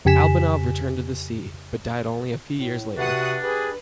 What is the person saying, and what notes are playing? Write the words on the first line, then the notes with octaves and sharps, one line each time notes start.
Albanov returned to the sea, but died only a few years later.
F2 C#3 G4 G#5 B6 E7
A2
C3 D4 F#4 B4 F#5 D#6
G4 G#4 B4